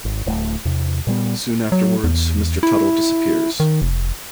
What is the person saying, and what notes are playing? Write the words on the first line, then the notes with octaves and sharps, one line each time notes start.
Soon afterwards, Mr. Tuttle disappears.
G#1
D1 A3
E2 C3
A#2 G3 B3
F#3
E2
E4
D#3
F1